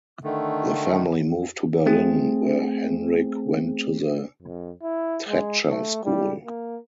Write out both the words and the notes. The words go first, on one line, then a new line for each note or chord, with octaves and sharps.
The family moved to Berlin, where Henrik went to the Tretscher School.
D3 D#3 A3
A3 C4 G#4
F2
E4
G#3
A3
G3
A#3